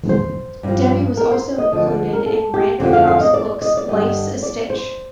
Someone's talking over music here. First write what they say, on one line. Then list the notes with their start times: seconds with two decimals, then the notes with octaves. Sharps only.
Debi was also included in Random House books' Life's a Stitch.
0.09 C5
0.63 G2 F3
1.17 A#4
1.31 C5
1.58 D#5
1.72 D2 D3 F3 D#5
1.86 D5
2.13 A#4
2.26 A4
2.54 G4
2.80 F2 D3 F3 G4
2.93 F5
3.07 F5
3.20 D#5
3.34 D5
3.62 D#5
3.77 D5
3.88 G2 D3 G3 D#5
4.43 D5
4.70 C5